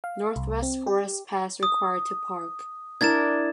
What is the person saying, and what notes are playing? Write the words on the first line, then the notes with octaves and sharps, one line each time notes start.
Northwest Forest Pass required to park.
F5
C2
C4
G4
D#6
D4 E4 A#4 G#6 A6 E7